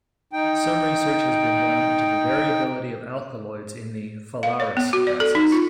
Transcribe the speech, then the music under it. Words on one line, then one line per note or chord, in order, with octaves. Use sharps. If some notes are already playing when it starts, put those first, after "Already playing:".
Some research has been done into the variability of alkaloids in the "Phalaris" grasses.
D#4 G5
F5
C#5
B3
F#4
D5
A4
D#4
F4